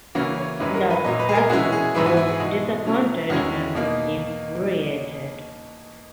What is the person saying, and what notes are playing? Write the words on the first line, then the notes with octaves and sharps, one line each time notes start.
Las Casas was disappointed and infuriated.
C#3 E3 A#3 C#4 E4 F#4
C#5
F#2 D#3 G#3 C#4 E4 B4
A#4
B4
A#2 F#3 A#3 D#5
B4
G#4
A#4
B2 G#3 C#4 E4 F#4
G#4
G#2 E3 B3 E4
F#4
E4
G#4
B2 G#3 D#4 F#4
B2 F#3 C#4 E4
E2 D#3 G#3 C#4 E4 F#4
B2 A#3 D#4